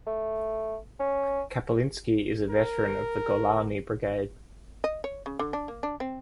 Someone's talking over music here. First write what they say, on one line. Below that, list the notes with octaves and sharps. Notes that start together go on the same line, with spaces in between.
Kaplinski is a veteran of the Golani Brigade.
A3
C#4
A#4
D#5
C#5
C#3
D3
D4
A#3
D4
C4